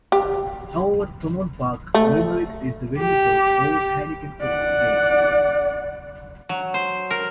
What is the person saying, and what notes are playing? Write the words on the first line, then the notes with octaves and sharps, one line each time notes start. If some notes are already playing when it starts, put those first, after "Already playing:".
However Thomond Park, Limerick is the venue for all Heineken Cup games.
G4
A3
G4
D5 F#5
F#3
C5
A#4